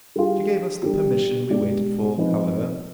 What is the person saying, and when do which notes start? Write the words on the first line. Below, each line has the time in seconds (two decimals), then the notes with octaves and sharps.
She gave us the permission we waited for, however.
0.16 G3 D4 F4 G#4
0.83 G3 D4 G4
1.50 B2 G#3 D4 G4 D5
2.17 F3 C4 D#4 B4 D#5